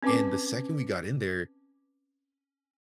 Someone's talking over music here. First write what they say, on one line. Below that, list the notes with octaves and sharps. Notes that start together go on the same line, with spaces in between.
And the second we got in there,
C4 C#4 B4 A5 D6